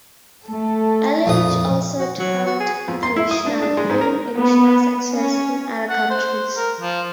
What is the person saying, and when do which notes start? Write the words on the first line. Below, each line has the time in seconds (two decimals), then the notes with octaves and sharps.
Alliage also toured internationally, having additional success in other countries.
0.45 A3 A4
1.26 F2 A#2 D#6
1.99 F#4
2.19 F#3
2.46 F#4
2.60 G#4
2.88 F2
3.03 C6
3.16 E4
3.31 D#6
3.46 D4
3.62 D4
3.77 G#3
3.90 G#2
4.01 A#4
4.35 B3
5.16 C#4
5.90 F#5
6.10 C5
6.57 A#4
6.81 F3